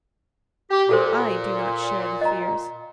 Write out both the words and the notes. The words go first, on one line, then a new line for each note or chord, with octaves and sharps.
I do not share the fears.
G4
A#2 F#4 A4 C5
D#5 A#5